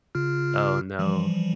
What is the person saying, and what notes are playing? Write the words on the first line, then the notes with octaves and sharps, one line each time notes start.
Oh, no.
C#3 F4 F6
E3 F3 G3